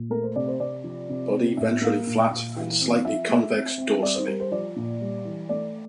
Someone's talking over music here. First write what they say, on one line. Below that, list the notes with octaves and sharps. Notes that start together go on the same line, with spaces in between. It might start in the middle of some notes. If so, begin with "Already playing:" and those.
Body ventrally flat and slightly convex dorsally.
Already playing: A#2
A3 A#4
C5
C3 D5
C5
C3 D5
F3
C3
C4
A2 E5
A#3 F5
A#2
A#2
E3
C4
F3 E5
A3
C4
C4
G3 D5
C5
G3 A#4
C5
F3 D5
A#2
G3
E3
A3 D5